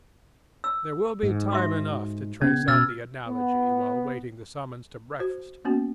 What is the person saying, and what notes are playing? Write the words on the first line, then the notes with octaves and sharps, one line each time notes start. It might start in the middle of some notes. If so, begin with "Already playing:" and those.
There will be time enough to trace out the analogy while waiting the summons to breakfast.
E6
G#2
F#4 E5
C#3 B3 C#4 G#6
B2 E6 F6 A6
B3
F#4 C5
A#3 B3 C#4 F#4